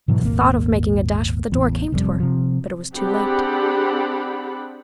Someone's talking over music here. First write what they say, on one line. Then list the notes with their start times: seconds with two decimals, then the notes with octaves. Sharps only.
The thought of making a dash for the door came to her, but it was too late.
0.08 G#2 B2 E3 F#3
0.23 D#1 G#1 A#3
1.52 A1 E2
1.92 F1 F2 A2 G3
2.20 C3 F3
2.94 C4 D4 G4 G#4 F#5 B5